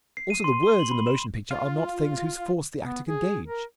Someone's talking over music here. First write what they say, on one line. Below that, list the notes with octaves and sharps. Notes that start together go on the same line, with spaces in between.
Also the words in the motion picture are not things whose force the actor can gauge.
C7
D#7
C6
G7
F#7
B5
E7
F4
B3
G#4
A#4